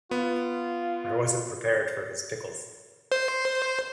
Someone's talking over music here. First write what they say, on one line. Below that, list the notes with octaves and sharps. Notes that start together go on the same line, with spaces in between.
I wasn't prepared for his pickles.
B3 F4
C5